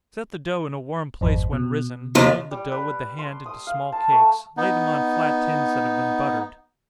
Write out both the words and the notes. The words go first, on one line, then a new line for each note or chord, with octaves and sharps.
Set the dough in a warm place when risen, mould the dough with the hand into small cakes, lay them on flat tins that have been buttered.
G#1 F2
B2
D#2 C3 F3
G3
B4
C6
D#6
F5
A5
A3
B3 D#4